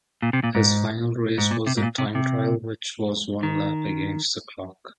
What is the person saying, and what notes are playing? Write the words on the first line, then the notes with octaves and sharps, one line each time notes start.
His final race was the time trial which was one lap against the clock.
A#2
C3
A#2
G#2
G#2
A#2
C3
G#2
A#2
C3
C3
D#3